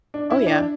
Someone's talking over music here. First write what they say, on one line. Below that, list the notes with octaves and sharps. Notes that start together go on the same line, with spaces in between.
Oh, yeah.
D4
E4
D4